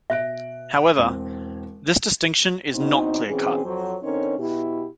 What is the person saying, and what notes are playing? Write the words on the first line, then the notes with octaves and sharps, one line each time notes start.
However, this distinction is not clear-cut.
B2 E5 F#6 D7
E1 C4
B2 C4 D4 D#4
B2 E3 C4 C#4 G#4
F2 F#3 C5
D3 C4 C#4 D#4 A#4 C#5
B2 E4 G4